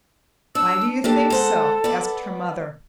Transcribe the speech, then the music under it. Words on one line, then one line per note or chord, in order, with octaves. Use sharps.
"Why do you think so?" asked her mother.
D4 E6
A#3 D4 G4 A4
G#3 C5 F#5
B3 D5